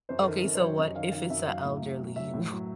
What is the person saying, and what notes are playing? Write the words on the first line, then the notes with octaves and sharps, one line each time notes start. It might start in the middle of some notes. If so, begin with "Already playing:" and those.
Okay, so what if it's a elderly, wo
F#2 C5
A4
D#3 A#4
F#2
C5
F#3 C#5
F#2 D#5
D#3 F5
D#3 F5
F#2 E5
F#3 F5
A2
A2
F#3
F#3 E5
A2
F#3